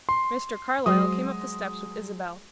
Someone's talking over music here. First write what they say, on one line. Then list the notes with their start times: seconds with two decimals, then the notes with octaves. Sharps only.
Mr. Carlyle came up the steps with Isabel.
0.09 C6
0.86 F#3 G#3 C5 D#6